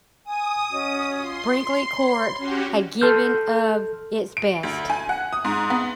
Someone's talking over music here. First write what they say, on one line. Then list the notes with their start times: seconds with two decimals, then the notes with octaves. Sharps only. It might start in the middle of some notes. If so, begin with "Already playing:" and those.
Brinkley Court had given of its best.
0.25 G#5 D#6
0.72 C#4 F#4 D#5
1.21 F4 C6
1.93 C#5 B5
2.37 C#4 F#4 G4
3.01 A4 C6 F6 G6
4.37 D7
4.63 D2
4.90 G#5
5.09 F#5
5.33 D#6
5.45 G#2
5.70 B3